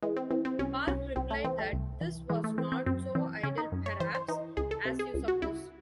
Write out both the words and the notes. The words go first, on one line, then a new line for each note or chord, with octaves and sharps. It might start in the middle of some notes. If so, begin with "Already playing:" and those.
Park replied that this was Not so idle perhaps, as you suppose.
E3 G#3
C4
E3 C4
C4
C2 C#4
C2 C#4
C2 C4
A3
E3 C4
A3
C2
E3
E3 G#3
A3
E3 C4
C4
F#2 C4
E3 C4
C#3 C#4
D#4
F#2
C#5
E3 C5
C5
E3 D#4
C#2 G#4
A4
C3
G#4
C#2
F#4
C#2 E4